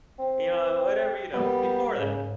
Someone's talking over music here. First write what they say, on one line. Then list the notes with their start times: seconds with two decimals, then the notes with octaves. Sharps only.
you know, whatever you know, before that,
0.19 C4
1.33 G3 A#3 B3
2.00 G#2 C#3